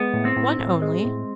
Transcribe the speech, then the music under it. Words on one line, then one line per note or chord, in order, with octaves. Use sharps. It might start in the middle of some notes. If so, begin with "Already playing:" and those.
"One only?"
Already playing: G#3 B3
A2
C4
A2
A2
G#3
A2